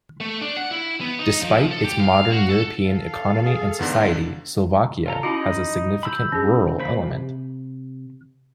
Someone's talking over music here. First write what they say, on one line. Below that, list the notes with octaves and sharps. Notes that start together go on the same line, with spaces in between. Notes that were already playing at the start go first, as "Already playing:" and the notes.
Despite its modern European economy and society, Slovakia has a significant rural element.
A3
D4
F#5
E4
B3
D#4
F3
A4
G4
F5
F#4
A4
A4 F5
G#4
E2 G#2 D3 B3
F4 A4 A#5
C#4 D#4 E4 F#4 D#5 B5
B5 E6 G6
C#4 G#4
C#3 A#3 C5 B5
C3